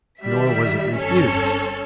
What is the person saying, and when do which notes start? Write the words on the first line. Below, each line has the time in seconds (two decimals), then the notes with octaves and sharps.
Nor was it refused.
0.20 D#3 G3 E5 B6
0.94 G1 C#4 A4 C#5